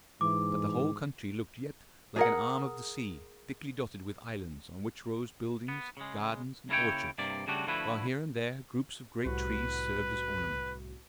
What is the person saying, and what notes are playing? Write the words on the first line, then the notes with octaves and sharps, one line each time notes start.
But the whole country looked yet like an arm of the sea thickly dotted with islands on which rose buildings, gardens, and orchards, while here and there groups of great trees served as ornament.
G#2 E3 D6
G#4 A#4 F#5
B3
C#3 G#3
C#3 A#3 E4 F4 C#5 G5
G2 C3 A#3 D5
C#3 G3 A3 D4 F#4
D3 F3 A3 E4 F#4 B4
C2 A2 F#4 B4